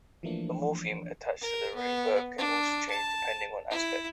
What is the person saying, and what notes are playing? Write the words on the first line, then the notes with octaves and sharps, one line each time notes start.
The morpheme attached to the root verb can also change depending on aspect.
E3 F3 A3 A#3 D4
A#4
B3
D4
A5
E4